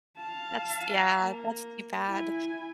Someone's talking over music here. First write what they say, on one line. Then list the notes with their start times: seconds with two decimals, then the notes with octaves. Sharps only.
that's yeah, that's too bad.
0.17 F5 A5
1.22 A#3
2.08 E4 G#5